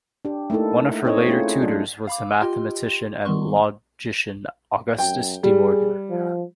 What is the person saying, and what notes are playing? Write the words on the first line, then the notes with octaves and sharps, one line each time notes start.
One of her later tutors was the mathematician and logician Augustus De Morgan.
D4 G4
A3 A#3 D#4 E4 A4
C4 D#4 C#5 D#5
A3 C#4 E4 F4 G#4
F#3 D4
F5 B5 D6
F4 G4 D#5 G5 C6
D#3 G3 B3 C6 C#6
F#2 G5
G3 G#4
F3